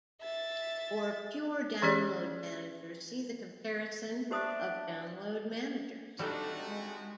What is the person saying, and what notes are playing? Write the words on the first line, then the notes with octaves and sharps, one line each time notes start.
For pure download managers see the Comparison of download managers.
E5 A6
E3 C#4 G4 G#4 D5
D4 G4 C5 E5 D#6
G3 A3 C4 D4 D#4 F#4 A4
G#3